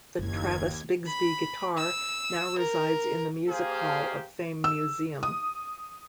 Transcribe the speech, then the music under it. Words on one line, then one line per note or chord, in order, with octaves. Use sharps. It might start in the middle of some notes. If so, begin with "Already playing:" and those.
The Travis-Bigsby guitar now resides in the Music Hall of Fame Museum.
F#1 D#2 E4 G#6
B5
E6
A#4
A#3 G4 G#4 C5 F5
E6
D#6